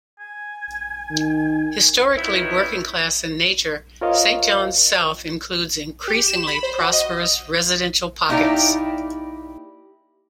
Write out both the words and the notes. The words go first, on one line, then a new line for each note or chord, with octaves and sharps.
Historically working class in nature, Saint John's South includes increasingly prosperous residential pockets.
G#5
D#3
F2 D#3 B3 C#4 D#4 E4
F4 A#4 C5 C#5 D#5 F5
G4
E7
B5
C5
F#4
D#5
A#3 D#4 E4 G4 D5 G5